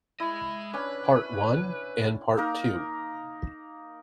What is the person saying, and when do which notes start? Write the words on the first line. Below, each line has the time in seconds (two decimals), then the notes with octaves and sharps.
Part One and Part Two.
0.20 G#3 E4 D#5
0.73 C#4 D4 B4
2.37 A#3 D#4 A#4